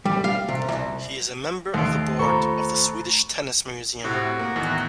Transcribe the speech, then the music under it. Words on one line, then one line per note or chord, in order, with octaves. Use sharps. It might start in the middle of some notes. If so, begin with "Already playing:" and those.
He is a member of the board of the Swedish Tennis Museum.
G3
F5
C3
C2
D#2 A3 C6 D7
F4 A4 C5 A#5 B5 C#6
A2 C3 F#4
A#3
E2 A2 D#3